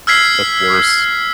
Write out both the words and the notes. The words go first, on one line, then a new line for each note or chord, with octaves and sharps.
That's worse.
E6 F6 G#6 B6 C7